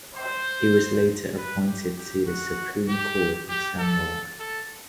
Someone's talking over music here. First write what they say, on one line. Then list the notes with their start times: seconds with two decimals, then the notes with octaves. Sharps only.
He was later appointed to the Supreme Court of Samoa.
0.15 C5
1.37 B4
1.67 G4
1.97 G4
2.26 F#4
2.88 G4
3.49 G4
3.78 A4
4.39 A4